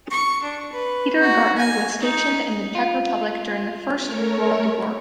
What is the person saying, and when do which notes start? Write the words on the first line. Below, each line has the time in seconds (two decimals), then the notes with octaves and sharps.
Peter Gartner was stationed in the Czech Republic during the First World War.
0.11 C#6
0.43 D4
0.72 B4
1.20 F#4
1.57 G#5
2.01 D#4
2.75 F4
4.04 A3 A#4 C#5